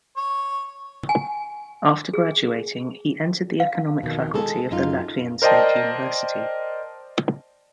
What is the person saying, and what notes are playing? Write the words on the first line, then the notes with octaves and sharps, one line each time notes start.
After graduating, he entered the economic faculty of the Latvian State University.
C#5
G#5
G#4
F5
F2 B2 D3 D#3
G#3 G#4 A4
F#2 D#4 F4
A#4 C5 D5 D#5 G5 A5